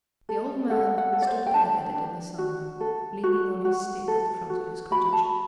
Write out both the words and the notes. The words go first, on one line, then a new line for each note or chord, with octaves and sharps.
The old man stood bareheaded in the sun, leaning on his stick at the front of his cottage.
A4
A4 F#5
F#5
A4
D5
C5
G5
D4 A5
D4
F#4
A4
F#4
F#4
A4
F#4
F#4 B5
A5